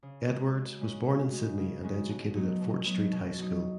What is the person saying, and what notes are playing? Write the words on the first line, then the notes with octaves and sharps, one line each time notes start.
Edwardes was born in Sydney and educated at Fort Street High School.
C#3
G#3 C#4 F#4
C#3
G#3 C#4 F#4
C#3
G#3 C#4 F#4
C#3
G#3 C#4 F#4
B2
F#3 B3 D#4
B2
F#3 B3 D#4
B2
F#3 B3 D#4